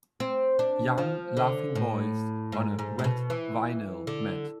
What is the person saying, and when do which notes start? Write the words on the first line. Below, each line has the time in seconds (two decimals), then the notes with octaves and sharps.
Young laughing boys on a wet vinyl mat.
0.20 C4
0.59 D4
0.98 F3
1.37 D3
1.75 A2
2.52 G#2
2.79 G#2
2.99 A2
3.04 B2
3.30 E3
4.07 D3